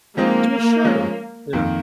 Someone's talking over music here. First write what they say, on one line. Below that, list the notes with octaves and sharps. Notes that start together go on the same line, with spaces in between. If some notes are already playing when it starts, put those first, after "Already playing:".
Well, sure. Yeah,
F3 G#3 A#3 C4 D#4
F3 G#3 C#4
F2 D#3 A#3